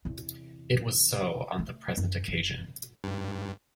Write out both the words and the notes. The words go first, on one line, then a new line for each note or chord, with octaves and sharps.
It was so on the present occasion.
E2 C3
A3
F#2 C#4
F#1
G2